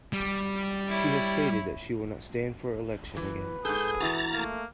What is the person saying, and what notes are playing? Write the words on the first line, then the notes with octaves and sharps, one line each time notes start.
She has stated that she will not stand for election again.
G3
E4 C#5
E3 B4
G#2 G#4 A4 G6
E3 E4 F#4 A#5 A6
A3 A#3